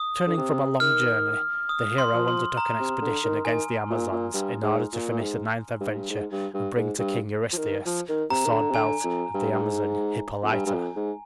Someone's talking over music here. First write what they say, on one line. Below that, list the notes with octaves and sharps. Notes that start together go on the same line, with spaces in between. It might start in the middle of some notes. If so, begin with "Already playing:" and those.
Returning from a long journey, the hero undertook an expedition against the Amazons in order to finish the ninth adventure and bring to King Eurystheus the sword belt of the Amazon Hippolyta.
Already playing: D#6
D3
C3
D#3 F6
D#6
C6
F3
C6
A#5
C3
D3
D#3
D#3 G#5
A#2
A#2
G2
G#2
A#2
A#2
G#2
G2
G#2
G2
G#2
G2
G2
G#2
G2
F3
D#3
F3
D#3
C3 A#5
D#3
D3
C3
D3 G#5
F2
G2
G2
G#2
F2
G2 G#5
G2
F2
G#2